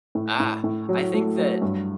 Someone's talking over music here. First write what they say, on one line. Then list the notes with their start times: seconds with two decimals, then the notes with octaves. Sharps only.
Ah. I think that
0.15 A2
0.40 A2
0.64 A2
0.89 F#3
1.14 A3
1.38 F#3
1.62 G2